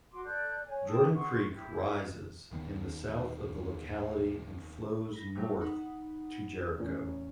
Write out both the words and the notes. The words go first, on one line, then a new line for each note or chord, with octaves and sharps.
Jordan Creek rises in the south of the locality and flows north to Jericho.
F#4 C6 D6
A4 D5 F#6 G6
C#5 G#5
G5 A5 D#6 E6
F#5 C6 C#6
E4 G4
D#2 D#3 B3
B5 A#6
F#3 G3 A3
D#4 F#5 B5
E2 A2 C#4